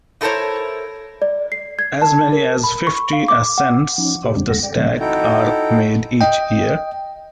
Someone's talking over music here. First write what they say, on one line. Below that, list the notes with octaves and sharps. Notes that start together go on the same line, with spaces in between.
As many as fifty ascents of the stack are made each year.
D#4 E4 A4 A#4 C5 C#5
D5
C7
G#6
A5
A#4
B5
C#6
F5
D6
F#5
F3 C#4 D#4
C3 G4 C5
F#2 D3 G3 G#3 C4 D4
E2 G#3 A#3 A4 F#5 A#6
D5 G5
C3 D#3 F3 F#3 A3 C4
D#4 E4 F#4 A4 G5
D#5 G5